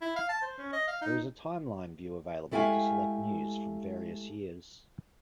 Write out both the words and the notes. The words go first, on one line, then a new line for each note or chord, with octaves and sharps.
There was a timeline view available, to select news from various years.
E4
F5
A5
C5
C#4
D#5
F5
D#4
G#3 A3 E4 G4 F5 G#5